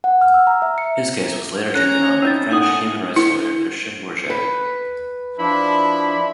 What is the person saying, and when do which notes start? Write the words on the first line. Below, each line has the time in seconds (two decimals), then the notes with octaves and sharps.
His case was later taken on by French human rights lawyer Christian Bourget.
0.04 F#5
0.21 F6
0.34 E6
0.47 A#5
0.62 E5
0.78 C#7
1.75 C#4 C#5 A#5 F#6 A#6
2.22 C4 D#4 E4 E6 G6 A6
2.51 A2 D#4 F#5 G#5 D#6
3.16 E4
4.30 B4
5.39 F3 D4 E4 B5